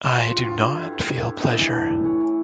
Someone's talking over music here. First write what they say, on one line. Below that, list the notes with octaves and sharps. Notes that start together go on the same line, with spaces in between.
I do not feel pleasure.
F3 F#4
G2
G2 F4
D3
G2 E4
G2
G2
G2
A2 D#4
E3
E3 D4
A2
A2 C#4
E3